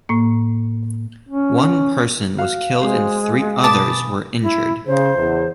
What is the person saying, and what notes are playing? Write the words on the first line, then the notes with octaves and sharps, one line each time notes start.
One person was killed and three others were injured.
A2 A#3
C#4
F#4 F5
G#3 C5
B2 G#5 A5 B5 D6 D#6 A6
E4
C#3 C5
E2